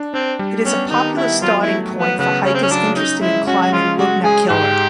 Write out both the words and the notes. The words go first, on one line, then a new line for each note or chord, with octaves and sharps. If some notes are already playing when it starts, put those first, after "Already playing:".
It is a popular starting point for hikers interested in climbing Lugnaquilla.
Already playing: D4
C4 D4
G3
B3 C#4
D#3 D#4
B3 E4
F#3 F4
E4
A3
F#3
B3
C#3 B3
C#3 C#4
C4
C#4
F#3 D4
C#4 D#4
G#3 E4
C#4 F#4
F#4
G#3 F4
G#3 F#4
G#3 G#4
G#2 G4